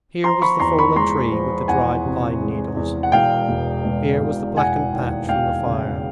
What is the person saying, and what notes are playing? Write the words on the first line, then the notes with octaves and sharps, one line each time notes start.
Here was the fallen tree with the dried pine-needles, here was the blackened patch from the fire.
F3 A#5 C6
B5 C#6
E2 A#5 C6
B5 C#6
G#3 A#5 C6
F3
E2 F#5 G#5
C3
G#3
E2
F#5
E1 F5 G5
E1
E1
E1
E1 F#5 G#5
D#2
E1 F5 G5
C#3